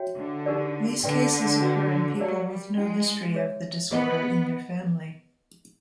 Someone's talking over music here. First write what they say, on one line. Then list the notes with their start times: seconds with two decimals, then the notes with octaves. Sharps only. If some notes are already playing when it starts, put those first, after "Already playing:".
These cases occur in people with no history of the disorder in their family.
Already playing: F#4 C#5 E5 G5
0.18 D3
0.46 D#4 G4 A#4 D5
1.04 D3 B4 D5 G5
1.61 C#4 F#4 B4
2.19 F#3 G4 A#4 D5 F5 A5
2.48 G3
2.77 G#3 C#4 E4 A4
3.34 G#4 C#5 E5
3.91 B3 G#4 C5 D#5